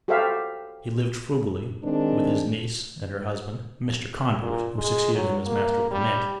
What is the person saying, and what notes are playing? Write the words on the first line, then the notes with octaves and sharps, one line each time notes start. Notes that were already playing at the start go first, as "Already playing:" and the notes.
He lived frugally with his niece and her husband, Mr. Conduit, who succeeded him as Master of the Mint.
F#4 G4 A4 C5 E5 F5
D#3 G#3 C4 D4
A#2
G#3
F#3
A#3
G3